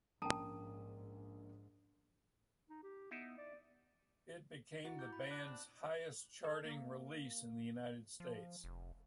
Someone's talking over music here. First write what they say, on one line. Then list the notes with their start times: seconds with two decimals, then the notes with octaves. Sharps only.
It became the band's highest-charting release in the United States.
0.22 A#1 G#2 A#3 C#4 G5 A5 A#5 D#6
2.70 D#4
2.83 G4
3.11 B3 D#4 E4
3.38 D5
4.85 E4 F#4
4.99 A#3 G6
5.13 B3 B5
5.31 D4 F#6
5.48 C4
6.44 A4
6.64 A#3
8.20 F3
8.64 F1